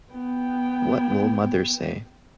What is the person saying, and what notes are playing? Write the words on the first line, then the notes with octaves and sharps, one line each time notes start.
What will mother say?
B3 G5